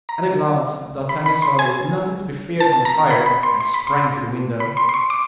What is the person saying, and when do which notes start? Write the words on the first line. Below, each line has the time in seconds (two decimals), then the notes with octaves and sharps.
At a glance D'Artagnan saw there was nothing to be feared from the fire, and sprang to the window.
0.09 A#5
1.09 B5
1.26 B5
1.42 C6
1.59 G#5
2.60 A5
2.85 A#5
3.11 B5
3.26 B5
3.43 C6
3.61 C6
3.74 B5
3.87 C6
4.60 B5
4.77 C6
4.89 C6
4.94 C#6
5.10 D6